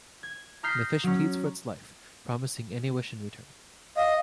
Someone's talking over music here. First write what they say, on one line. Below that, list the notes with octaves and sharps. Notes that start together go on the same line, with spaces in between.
The fish pleads for its life, promising any wish in return.
G#6
A#5 D#6 F6 G6 B6 C7
F#3 C#4
D#5 F5